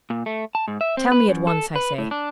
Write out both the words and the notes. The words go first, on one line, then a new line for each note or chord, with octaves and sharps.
"Tell me at once, I say."
A#2
A3
A5
G#2
E5
C4
B4
F#2
A4
B4
A2
D4